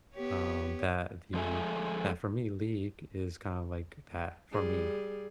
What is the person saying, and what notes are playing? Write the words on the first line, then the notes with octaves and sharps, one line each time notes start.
um, that the that for me, League is kinda like a path for me,
B3 G4 C#5
F3 G#3 A4 E5 G#5
G3 G#4